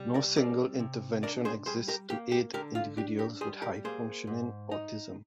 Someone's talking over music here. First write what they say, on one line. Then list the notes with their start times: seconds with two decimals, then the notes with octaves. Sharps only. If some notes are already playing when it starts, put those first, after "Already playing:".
No single intervention exists to aid individuals with high-functioning autism.
Already playing: C3 G3
0.14 A#4 D5
0.36 C4 A#4 D5
0.80 C3
1.23 D4 A#4 D5
1.45 G#4 C5
1.66 G3 G#4 C5
1.88 G4 A#4
2.10 A#3 G4
2.32 G4
2.54 D3 G4 A#4
2.75 F4
2.97 D4 G4
3.19 G4 A#4
3.41 G3 G#4 C5
3.62 G4 A#4
3.84 A#3 G#4 C5
4.27 G#2
4.72 D#4